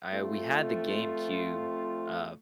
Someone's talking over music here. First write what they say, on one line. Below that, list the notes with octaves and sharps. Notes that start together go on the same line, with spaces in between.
I we had the GameCube, uh
F2 A3 C4 F4